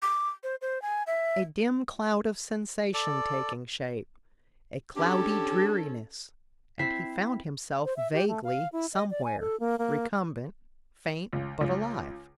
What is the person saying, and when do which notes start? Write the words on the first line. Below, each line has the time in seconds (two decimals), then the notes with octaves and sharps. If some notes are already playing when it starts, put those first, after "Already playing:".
A dim cloud of sensation taking shape, a cloudy dreariness, and he found himself vaguely somewhere, recumbent, faint, but alive.
0.02 D6
0.43 C5
0.62 C5
0.82 G#5
1.07 E5
2.94 A4 D5
4.97 C#4 D4 G4 A4
6.79 C4 E4 B6 C7
7.85 C5
7.97 E5
8.13 G4
8.28 A3
8.44 F5
8.72 E4
8.94 D#5
9.10 D5
9.24 G#5
9.40 A4
9.60 A#3
9.79 A#3
11.33 C#2
11.61 C#2